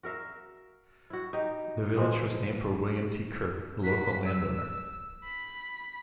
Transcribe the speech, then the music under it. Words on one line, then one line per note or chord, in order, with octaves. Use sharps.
The village was named for William T. Kirk, a local landowner.
F#4 A#4 E5 F5
E4 F#4
D#4 G4
E3 F3 G#3 B3
F#4 B6
E6
B5